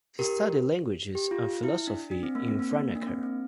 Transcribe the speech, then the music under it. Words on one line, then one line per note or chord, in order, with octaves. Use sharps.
He studied languages and philosophy in Franeker.
G4 A#4
G4
F4
E4
D4
D4
C4
A#3
C4
A#3
A#3
D4
A#3
C4
C4